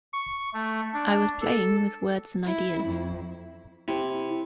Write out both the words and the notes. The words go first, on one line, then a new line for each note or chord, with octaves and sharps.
I was playing with words and ideas.
C#6
A3
D4
A4
E4
F2
C3 E4